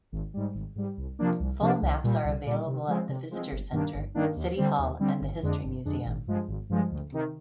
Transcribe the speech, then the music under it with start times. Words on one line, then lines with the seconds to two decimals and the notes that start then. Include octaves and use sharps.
Full maps are available at the visitor center, city hall, and the history museum.
0.12 G#1
0.34 G#2 G3
0.54 G#1
0.75 G#2 G3
0.97 C2
1.19 C3 F3 A#3 D4
1.40 C2
1.61 C3 F3 A#3 D4
1.82 C2
2.04 A#2 G3
2.24 C2
2.46 A#2 G3
2.66 C3
2.87 F3 G#3 C4
3.09 C3
3.31 F3 G#3 C4
3.51 G1
3.72 G2 D#3 A#3 D4
3.94 G1
4.15 G2 D#3 A#3 D4
4.36 D#2
4.57 D3 G3 C4
4.79 D#2
4.99 D3 G3 C4
5.21 G1
5.43 F2 D3 G#3 D4
5.64 G1
5.85 F2 D3 G#3 D4
6.06 G#1
6.27 G2 F3 G#3
6.48 G#1
6.69 G2 F3 G#3
6.91 D2
7.12 C3 D#3